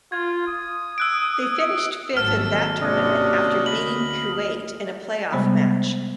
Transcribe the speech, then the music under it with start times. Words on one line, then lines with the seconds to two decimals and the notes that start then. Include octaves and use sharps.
They finished fifth in that tournament after beating Kuwait in a play-off match.
0.12 F4 G#6
0.47 D#6
0.98 E6 F#6 D7
2.17 G#1 F#3 A#3 F#4 A4 E6 F6
2.81 G#1 C3 A#3 C#4 D4 F#4 D#5
3.66 D2 D#5 B5 F#7
5.32 C3 G3 G#3 B3